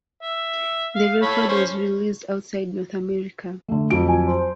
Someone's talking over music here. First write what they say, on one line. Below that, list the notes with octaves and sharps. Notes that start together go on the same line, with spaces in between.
The record was released outside North America.
E5
F5
A4 C#5 B5
C#4 C5 C#5
D3 A3
F2 F#3 D7
G#5
C5